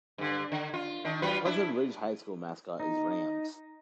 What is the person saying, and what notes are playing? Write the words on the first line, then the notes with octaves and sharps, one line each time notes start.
The Pleasant Ridge High School mascot is Rams.
G2 D3
D3
F4
D#3 D4
F#3 F4 B4
D4 E4
D#4